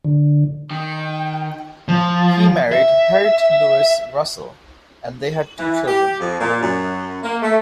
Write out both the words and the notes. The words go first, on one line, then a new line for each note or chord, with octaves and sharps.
He married Harriett Louise Russell and they had two children.
D3
D#3 G5
F3
E5
E3
G4
F2
A#2
F#2
A#3
A3